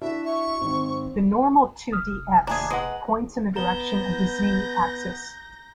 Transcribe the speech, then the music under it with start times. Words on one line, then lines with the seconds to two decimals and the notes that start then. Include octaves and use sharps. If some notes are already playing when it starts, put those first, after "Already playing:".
The normal to d"S" points in the direction of the "z" axis.
0.02 D4 E4 F#4 E5
0.25 E5 C#6
0.61 G#1 G#2 C4
1.92 F1 D#6 F6
2.47 D#2 D4 G#4 E5 G#5 A#5
2.70 G#3 B4 D#5 F#5
3.56 B3 A#5 G6 A#6 G7